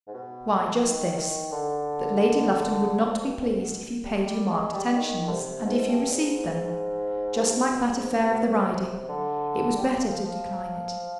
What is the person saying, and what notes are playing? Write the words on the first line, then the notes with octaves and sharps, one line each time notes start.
"Why, just this: that Lady Lufton would not be pleased if he paid you marked attentions, and if you received them;--just like that affair of the riding; it was better to decline it."
G#2
B2
D#3
D#3
D3
D3
F2
G2
G2
G#2
B2
G3
G3
G#3
G3
D#3
D3
C3
G#2
G2
G#2
B2
G2
G#2
C3
B2
C3
D3
G3
F3
F3